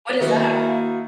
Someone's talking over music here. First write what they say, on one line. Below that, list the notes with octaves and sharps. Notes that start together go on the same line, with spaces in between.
What is that?
D#3 A#3 E4 F#4